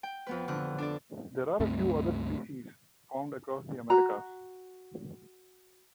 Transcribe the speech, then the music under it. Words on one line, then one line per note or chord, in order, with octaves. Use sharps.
There are a few other species found across the Americas.
G5
F2 B3 B4
F2 D3 F#6
D4 A4 D5
C#2 G2 A3 C4
F#4 A#5